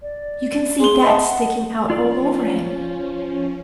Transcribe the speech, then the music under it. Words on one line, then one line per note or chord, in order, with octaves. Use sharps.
You can see THAT sticking out all over him.
D5
G#4 C6 G7
D#5 E5 A5
F#5
F3 C#4 F4 D5